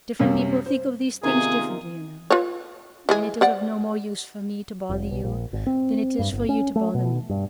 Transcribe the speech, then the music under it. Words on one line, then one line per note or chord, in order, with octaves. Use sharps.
Different people think of these things differently, you know, and it is of no more use for me to bother you than it is for you to bother me.
F#2 C3 G3 A#3 C#4
C5
C3 D#3 A#3 B3 D#4 F4 G#4 A#4
F4 B4 C#5
E3 G#3 G#4
C5 D5 F#5
F1
B1
A#1
G#1
C4
G2
G1
C#4
A3
B2
G2